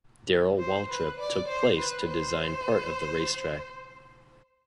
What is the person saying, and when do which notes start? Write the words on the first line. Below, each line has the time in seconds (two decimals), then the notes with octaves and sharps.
Darrell Waltrip took place to design part of the racetrack.
0.59 C5
0.89 B4
1.20 D5
1.48 C5
1.79 B4
2.08 C5